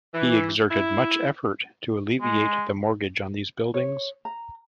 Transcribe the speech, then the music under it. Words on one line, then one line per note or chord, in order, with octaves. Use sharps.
He exerted much effort to alleviate the mortgage on these buildings.
E3
E4
G#3
C#5
A#5